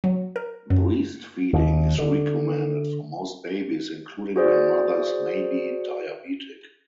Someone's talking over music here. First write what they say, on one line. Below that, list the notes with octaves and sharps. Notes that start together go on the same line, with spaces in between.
Breast feeding is recommended for most babies, including when mothers may be diabetic.
F#3
A#4
F#2
D#2
D3
F#4 G#4 C5 D5